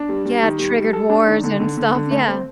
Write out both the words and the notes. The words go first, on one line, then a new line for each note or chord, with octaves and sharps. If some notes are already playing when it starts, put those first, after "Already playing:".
Yeah, triggered wars and stuff, yeah.
Already playing: D4
G3
G3
D#3
G3
G3
A4
D4
D#3
D3
D3
D3
D3
A3
C4